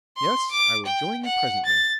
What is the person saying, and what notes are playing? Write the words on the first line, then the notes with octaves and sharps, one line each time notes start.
"Yes, I will join you presently."
C6
D6
G5
F#5
A6